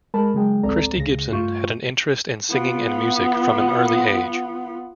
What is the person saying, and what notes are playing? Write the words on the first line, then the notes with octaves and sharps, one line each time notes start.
Christy Gibson had an interest in singing and music from an early age.
G#3 A#4 A5 B5
C#3 F#3 G#3 G5
A1 D2 C4 A4 D5 A#5
C#2 C#3 A#6
G2 A3 F4 C#6 G6
B3 F4